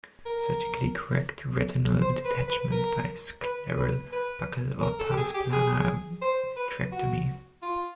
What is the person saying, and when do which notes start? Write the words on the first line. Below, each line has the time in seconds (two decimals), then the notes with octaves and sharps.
Surgically correct retinal detachment by scleral buckle or pars plana vitrectomy.
0.26 A#4
2.02 C5
2.25 B4
2.48 B4
2.72 A#4
3.42 B4
3.77 B4
4.12 B4
4.82 A#4
4.99 A4
5.11 G4
5.17 G#4
5.34 G4
5.52 G#4
6.22 C5
6.57 B4
6.92 F#4
7.63 F4